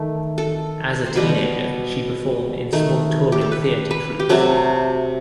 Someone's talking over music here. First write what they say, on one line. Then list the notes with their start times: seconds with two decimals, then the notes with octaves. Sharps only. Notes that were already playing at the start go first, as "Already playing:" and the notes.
As a teenager, she performed in small touring theater troupes.
Already playing: D#3 A3
0.38 A4
1.06 C5
1.15 B2 G3 B3 B4
2.73 D#3 A3
3.32 G4
3.41 A4
3.51 B4
3.91 B4
4.20 G4
4.29 C3 F#3 A3 A4